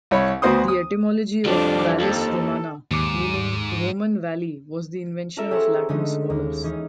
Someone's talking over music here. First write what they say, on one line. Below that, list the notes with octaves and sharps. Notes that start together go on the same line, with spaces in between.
The etymology of "Vallis Romana" meaning "Roman valley" was the invention of Latin scholars.
C2 C#5 B5
D2 B3 F#4 C5 C6 D#6
D#6
F2 F3 G3 D4 D6
D#2 A4
D#2 G#2 D6
C#4 F4 A4 A#4 C#5 E5
G4 G#4 C5 F#5 A#5 C#6
D3 G#3 A3 C#4 D#4
D#2
E3 C#4 D#4